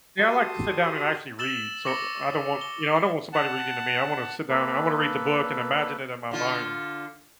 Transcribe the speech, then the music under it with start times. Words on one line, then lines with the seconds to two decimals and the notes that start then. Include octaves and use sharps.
Yeah, I like to sit down and actually read, so I don't want you know, I don't want somebody reading to me, I wanna sit down, and I wanna read the book and imagine it in my mind
0.18 F#4 G4 A4 A5 C6 D#6
1.39 E6 A6 E7 F#7 G7
1.85 C#6 D6 A#6 C#7 G7
2.61 G7
3.33 F#5 A5
4.49 A#3 A4 B4
6.31 D3 F4